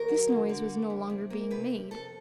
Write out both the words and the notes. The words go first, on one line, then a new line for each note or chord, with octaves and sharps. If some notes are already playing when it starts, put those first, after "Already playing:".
This noise was no longer being made.
Already playing: D#2 A#4
F#3
D3
D3
A#3
F2
C3
A#3
C3 B4
F2
F2 A4